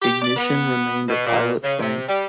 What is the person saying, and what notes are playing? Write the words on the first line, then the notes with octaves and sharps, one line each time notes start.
Ignition remained a pilot flame.
G4
D5
B3
B2
A#2
C#3
C3
G3